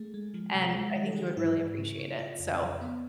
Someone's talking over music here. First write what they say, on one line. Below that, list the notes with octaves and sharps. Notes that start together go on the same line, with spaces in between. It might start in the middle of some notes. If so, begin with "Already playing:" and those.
and I think you would really appreciate it. So,
Already playing: A3 G#4
G#3
F3
C3
G#3
D#3
A4
G4
F#3 G#4
G4
G#2 E4
G#2
C#3
C#3
C#3 F4
F2
B2
B3